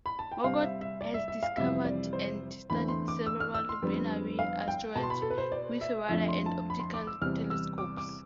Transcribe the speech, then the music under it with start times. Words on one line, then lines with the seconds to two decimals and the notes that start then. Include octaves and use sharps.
Margot has discovered and studied several binary asteroids with radar and optical telescopes.
0.06 B5
0.19 A5
0.32 G5
0.44 C3 G3 C4 F5
0.62 E5
0.81 E5
1.01 D5
1.14 E5
1.28 E5
1.43 F5
1.57 F2 C3 E3 G3 C4 E5
1.85 D5
2.13 C5
2.70 E2 D3 A3 C4 B5
2.88 C6
3.08 D6
3.26 E6
3.40 F6
3.54 E6
3.69 C6
3.82 F2 D3 G3 B3
4.39 F5
4.68 G5
4.96 B2 B3 A5
5.03 C6
5.10 B5
5.22 A4
5.30 B4
5.38 C5
5.52 D5
5.81 E5
6.09 F2 D3 F3 A3 E5
6.28 C6
6.46 A5
6.70 B5
6.79 C6
6.94 D6
7.07 E6
7.21 E2 C3 G3 C4 F6
7.50 E6
7.78 D6
7.97 D6